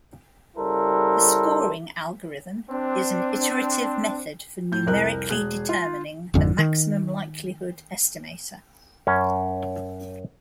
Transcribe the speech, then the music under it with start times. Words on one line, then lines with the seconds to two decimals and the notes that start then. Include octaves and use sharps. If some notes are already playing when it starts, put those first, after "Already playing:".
The scoring algorithm is an iterative method for numerically determining the maximum likelihood estimator.
0.57 C#3 G3 E4 A4 A#4 C5
2.70 C4 D4
4.72 A2 G6
4.86 C2 F2 A#4 F#6
5.30 E1 G#4 F#6
5.69 F4
6.34 G#1 F2 D3
6.58 D#3
9.07 F#2 C#4